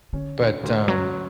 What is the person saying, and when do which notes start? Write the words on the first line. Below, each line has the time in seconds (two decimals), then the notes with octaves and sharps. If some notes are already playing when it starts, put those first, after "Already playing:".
but, um
0.13 D3 C#4
0.39 D2
0.63 D2
0.88 F#3 C#4